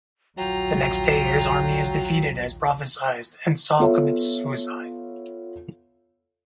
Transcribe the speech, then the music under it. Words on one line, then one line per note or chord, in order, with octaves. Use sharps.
The next day, his army is defeated as prophesied, and Saul commits suicide.
A#1 D#2 F#3 F4 G5 A#5
B3 F4 A4 C#5 E5